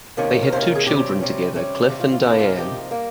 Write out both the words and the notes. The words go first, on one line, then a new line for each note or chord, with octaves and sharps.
They had two children together, Cliff and Diane.
C3 D#3 A#3 C#4
A#4
C3 D#3 A#3 C#4 C5
A#4
G#4
C3 G3 C#4 G4
C3 G3 C#4
C3 G3 C#4
C3 G3 C#4 F4
F4
F4
C3 F3 A#3 D#4
F4
C3 F3 A#3 D#4 G4
G3 A#3